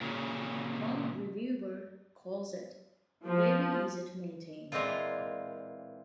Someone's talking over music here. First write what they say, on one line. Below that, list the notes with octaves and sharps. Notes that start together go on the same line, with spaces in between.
One reviewer calls it "very easy to maintain".
A#2 C#3
F3
A#2 E3 G#3 C4 F4